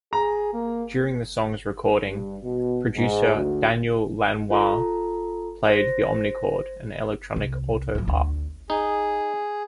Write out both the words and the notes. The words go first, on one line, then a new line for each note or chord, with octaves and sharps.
During the song's recording, producer Daniel Lanois played the Omnichord, an electronic autoharp.
G#4 A#5
A#3
G2
B2
G#2
D2
F4 A4 A#5
C5 A#6
C2
A2 F3
D2
D#4 G#4